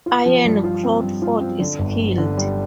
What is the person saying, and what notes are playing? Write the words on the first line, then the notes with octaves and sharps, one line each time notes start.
Ian Crawford is killed.
F4
F3
G2
F4
C4
G2
F4
C4
D3
G1
G2
D3
G3